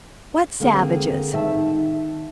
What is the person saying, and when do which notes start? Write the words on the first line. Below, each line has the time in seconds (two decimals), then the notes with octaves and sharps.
"What savages?"
0.60 D3 A#3 C4 G#4
1.33 D#3 E5 A5